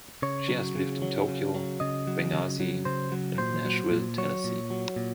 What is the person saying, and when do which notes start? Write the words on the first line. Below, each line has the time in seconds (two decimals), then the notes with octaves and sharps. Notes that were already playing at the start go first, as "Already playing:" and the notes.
She has lived in Tokyo, Benghazi and Nashville, Tennessee.
0.22 C#3 C#5
0.48 F#3
0.76 C#3
1.02 F#3
1.29 C#3
1.55 F#3
1.80 C#3 D#5
2.07 F#3
2.33 C#3
2.60 F#3
2.85 C#3 C5
3.12 F#3
3.38 A#2 C5
3.65 F#3
3.91 A#2
4.18 F#3 C#5
4.44 A#2
4.70 F#3
4.96 A#2